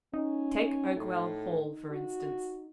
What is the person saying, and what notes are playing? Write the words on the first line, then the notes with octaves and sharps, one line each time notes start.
Take Oakwell Hall, for instance.
C#4 D#4
A2
F#4